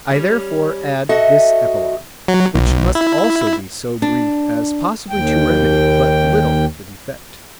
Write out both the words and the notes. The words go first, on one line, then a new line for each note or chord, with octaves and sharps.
I therefore add this epilogue, which must also be so brief as possibly to remedy but little the defect.
G3 C#4
F#4 A4 D#5 E5
F#3
B1
E4
D4
D#2 G5